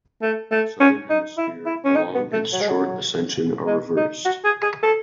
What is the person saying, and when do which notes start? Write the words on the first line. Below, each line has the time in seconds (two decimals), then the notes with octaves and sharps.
In the southern hemisphere, long and short ascension are reversed.
0.22 A3
0.52 A3
0.80 C#4
1.10 D#4
1.38 E4
1.66 E4
1.85 C#4
1.96 D#4
2.15 B3
2.33 A3
2.53 F#3
2.61 G#3
2.69 F#3
3.67 G#3
3.96 D#4
4.25 F#4
4.45 G#4
4.63 G#4
4.83 A4